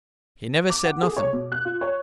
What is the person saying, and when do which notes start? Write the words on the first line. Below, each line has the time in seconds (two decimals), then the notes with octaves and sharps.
He never said nothing.
0.70 D6
0.85 F#5
1.02 G#4
1.17 C#5
1.33 B2
1.52 F#6
1.65 F4
1.81 C#5